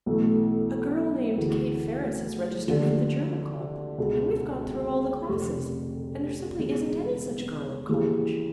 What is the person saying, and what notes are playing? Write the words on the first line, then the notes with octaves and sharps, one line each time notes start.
"A girl named Kate Ferris has registered for the German Club, and we've gone through all the classes, and there simply isn't any such girl in college."
B1 A2 E3 A3
D2 C#3 E3
D#2 D3 F3 A3
C#2 B2 G#3
F1 F2 C3
E1 E2 C#3
D#2 C#3 E3